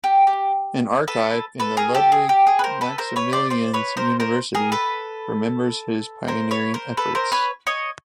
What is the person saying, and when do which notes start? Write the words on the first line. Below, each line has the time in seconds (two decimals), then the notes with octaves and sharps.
An archive in the Ludwig Maximilians University remembers his pioneering efforts.
0.04 G4
0.27 G4
1.08 A4 B4
1.60 A4 B4
1.77 G#4 A#4
1.95 G4 A4
2.12 G#4
2.29 G4
2.47 G#4
2.59 B4
2.64 A#4 C5
2.81 A4 B4
2.98 A#4 C5
3.16 B4 C#5
3.33 C5 D5
3.50 C5 D5
3.74 B4 C#5
3.97 A#4 C5
4.20 A#4 C5
4.55 G#4 A#4
4.72 A4 B4
6.28 A#4 C5
6.51 B4 C#5
6.74 A#4 C5
6.97 A4 B4
7.15 A#4 C5
7.32 B4 C#5
7.67 C#5 D#5